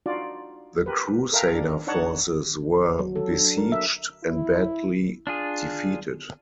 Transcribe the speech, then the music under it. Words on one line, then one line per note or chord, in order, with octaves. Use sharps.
The crusader forces were besieged and badly defeated.
D4 D#4 F4 F#4 D5
G4 A#4 B4
A4 A#4 E5 F5 G5 A#5
D4
D4 D#4 C#5 F#5 A5 C#6
F#3
A4
D4
D4
A#4
E5
E4
D4 F4 G#4